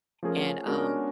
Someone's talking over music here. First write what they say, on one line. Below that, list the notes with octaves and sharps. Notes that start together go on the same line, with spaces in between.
and, um,
F3 A3 C#4 G#4 A#4
G#3 B3 C#4 D4 F#4 A#4